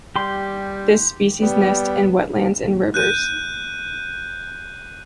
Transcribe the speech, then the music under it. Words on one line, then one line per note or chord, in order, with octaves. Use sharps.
This species nests in wetlands and rivers.
G3 G4 C6
G3 B3
F#6 G6 D#7